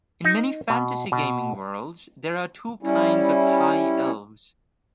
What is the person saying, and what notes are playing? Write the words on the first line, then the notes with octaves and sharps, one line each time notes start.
In many fantasy gaming worlds, there are two kinds of high elves.
D#4
B2
B2
G3 C#4 E4